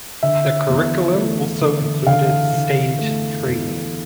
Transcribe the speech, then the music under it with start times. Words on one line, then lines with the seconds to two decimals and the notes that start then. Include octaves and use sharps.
The curriculum also included stage training.
0.23 D3 E5
0.69 E2
1.14 A3
1.61 D3
2.07 D3 F5
2.53 D3
2.98 A3
3.46 E2